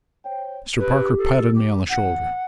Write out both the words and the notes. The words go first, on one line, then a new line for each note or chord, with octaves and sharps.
Mr. Parker patted me on the shoulder.
C5 C#5 G5
G4 B4
A4
G4
A1 F#5